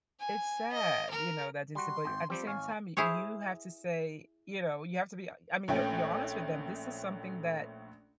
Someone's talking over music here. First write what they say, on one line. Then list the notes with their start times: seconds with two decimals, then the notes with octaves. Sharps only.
it's sad, you know, that it's but at the same time, y you have to say, you know, you have to be I mean, you're you're honest with them, this is something that
0.20 G#5
0.73 D#5
1.10 A#4
1.75 G3 F#4 C6
2.05 G#1 G5
2.30 F3 G3 C4 G4
2.47 G#1 C#5 F5 G#5
2.97 E4 G#4 C5 C#5
5.68 A#1 A3 C#4 G5